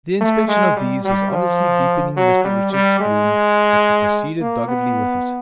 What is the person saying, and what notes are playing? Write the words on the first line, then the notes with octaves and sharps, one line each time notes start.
The inspection of these was obviously deepening Mr Richards' gloom, but he proceeded doggedly with it.
A3
G#3
G3
G3
F3
F#3
G3
G3
G#3
A#3
B3